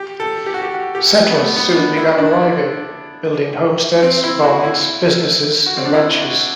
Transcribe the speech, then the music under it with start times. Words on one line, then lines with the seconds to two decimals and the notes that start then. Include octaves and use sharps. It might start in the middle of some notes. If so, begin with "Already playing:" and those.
Settlers soon began arriving, building homesteads, barns, businesses, and ranches.
Already playing: G4
0.20 A4
0.46 G4
0.54 F#4
0.62 G4
0.74 F#4
0.95 G4
1.31 B3
1.36 A3
1.56 B3
1.76 D4
1.97 E4
2.18 D4
4.03 C4
4.24 E4
4.43 F#4
4.64 E4
5.66 F#4
5.77 C4
5.85 D4
5.94 E4
6.22 F#4